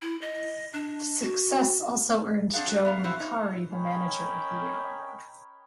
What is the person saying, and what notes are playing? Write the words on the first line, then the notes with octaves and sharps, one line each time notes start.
This success also earned Joe McAree the Manager of the year award.
E4
D#5
D4
F#4
C4 D4 G4 G#4 F5 F#5
F#3
B3 E5 F5
C4 E4 F#4 C5 F5
D#4
C#4 A#4 C#5 D#5 G5 B5